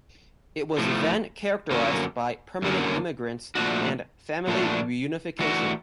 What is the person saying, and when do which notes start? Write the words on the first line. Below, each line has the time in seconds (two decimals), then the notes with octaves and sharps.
It was then characterized by permanent immigrants and family reunification.
0.78 A2 F3 A3
1.71 F#2 D3 F#3 A#3 C#4
2.62 F#2 D3 F#3 A#3 C#4
3.55 A#2 F3 A3 D4 F#4
4.47 A#2 F3 A3 D4 F#4
5.39 E3 A3 D4 F#4